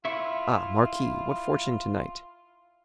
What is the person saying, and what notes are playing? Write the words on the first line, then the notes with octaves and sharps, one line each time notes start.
"Ah! marquis, what fortune to-night?"
E4 F4 E5 C#6